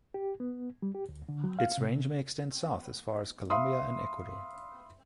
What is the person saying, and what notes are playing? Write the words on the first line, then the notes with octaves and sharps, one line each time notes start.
Its range may extend south as far as Colombia and Ecuador.
G4
B3
G3
G4
D2
D3
F#3
F5
C3
E5 F5 B5 C6 D#6